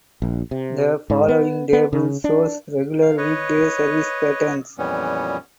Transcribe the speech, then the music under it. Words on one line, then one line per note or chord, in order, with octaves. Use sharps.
The following table shows regular weekday service patterns.
A#1
C3
G#2
B3
B3
C#3
D4
F5
B4 C#5 D#5
F2 A#2 E3 G3 B3 C#4